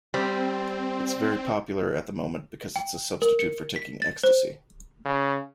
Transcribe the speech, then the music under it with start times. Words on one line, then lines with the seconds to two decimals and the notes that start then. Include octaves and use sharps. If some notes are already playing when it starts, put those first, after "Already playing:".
It's very popular at the moment because it's a substitute for taking ecstasy.
0.14 G3 C4
2.76 G5
3.22 A#4
3.39 C#7
3.76 B6
4.02 A6
4.23 C5
5.05 C#3